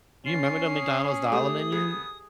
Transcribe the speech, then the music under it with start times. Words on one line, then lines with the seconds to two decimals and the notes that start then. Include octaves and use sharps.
You remember the McDonald's dollar menu?
0.26 C#4 F4 C7
0.74 G#4
1.32 A3 G4 D#6
1.72 B3 G#4